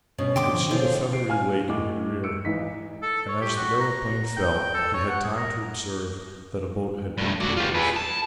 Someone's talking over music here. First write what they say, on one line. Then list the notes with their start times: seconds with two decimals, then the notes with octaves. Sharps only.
He could see the feathery wake in her rear, and as the aeroplane fell he had time to observe that a boat had been put off.
0.18 G2 B2 C#4 C#5
0.36 D3 D4 G5 C6 D6
0.53 F3
0.70 B2 D3 F3 G#3 C#4
1.13 C7 D7
1.28 F5 G#5 F6
1.69 A2 D#5 D6
2.23 E6 C#7 D7
2.45 G#1 E3 D#4 B6
3.02 A4
3.28 C#5
3.41 G4
3.56 F#4
3.80 A#5
4.37 G5
4.74 A4
4.93 C#5
5.08 F#5
5.24 G#4
5.37 A#4
7.18 G2 A3
7.40 F#4 D5
7.57 F4 G4
7.74 G#4 B4
7.96 A5